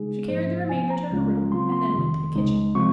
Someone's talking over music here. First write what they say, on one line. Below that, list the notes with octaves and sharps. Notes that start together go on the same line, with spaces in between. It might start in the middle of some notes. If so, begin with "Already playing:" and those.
She carried the remainder to her room and then went to the kitchen.
Already playing: C#3 G#3 D#4 G#4
G#2 F3 A#3 C5
C3 F3 A#3 G#5
A#5
C#2 C#3 G#3 C#4 F4
C#3 F#3 C4 F4 C6
C6
F2 C3 D#3
C#2 C#3 G#3 D#4
C3 F3 G#3 C4 F4 C#6